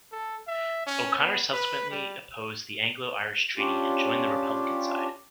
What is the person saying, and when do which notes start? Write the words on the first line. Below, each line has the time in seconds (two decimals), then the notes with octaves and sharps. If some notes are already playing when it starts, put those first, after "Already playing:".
O'Connor subsequently opposed the Anglo-Irish Treaty and joined the Republican side.
0.12 A4
0.48 E5
0.87 C#4
1.18 B3
1.52 B4
1.91 G3
3.58 C#4 D4 F4 G4